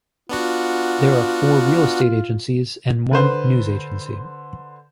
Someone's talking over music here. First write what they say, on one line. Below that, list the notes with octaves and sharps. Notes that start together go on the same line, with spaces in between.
There are four real estate agencies and one news agency.
B3 D4 F4 F#4
D3 B4 C5